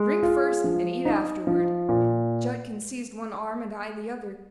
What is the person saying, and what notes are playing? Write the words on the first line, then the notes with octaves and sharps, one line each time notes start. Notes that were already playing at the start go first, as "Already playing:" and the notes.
"Drink first and eat afterward." Judkins seized one arm and I the other.
Already playing: G#3
F4
F3
D#4
F3
A#2